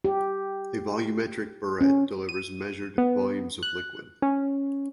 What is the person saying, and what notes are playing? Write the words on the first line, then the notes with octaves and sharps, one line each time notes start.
A volumetric burette delivers measured volumes of liquid.
G4
C#4
D#7
B3
F#6
C#4